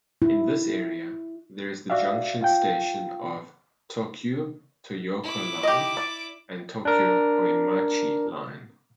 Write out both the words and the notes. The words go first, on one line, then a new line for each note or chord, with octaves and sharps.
In this area, there is the junction station of Tokyu Toyoko Line and Tokyu Oimachi Line.
E4
F#4 D5 E5 F5
F4 F5 G5
E4 D6
G4 D#5
D5
D4 A#4